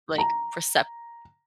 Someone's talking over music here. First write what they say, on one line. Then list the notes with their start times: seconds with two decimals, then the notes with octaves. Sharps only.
r like, percept
0.18 A#5